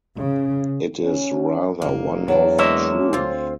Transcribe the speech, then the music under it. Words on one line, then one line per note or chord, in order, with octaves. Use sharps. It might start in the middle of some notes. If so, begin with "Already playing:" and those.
It is rather one of "truth".
C#3
C#4
F1 A#3
E2 F#3 D4 G5
G#3 A#3 C#5 D#5 E5
D2 C4 F4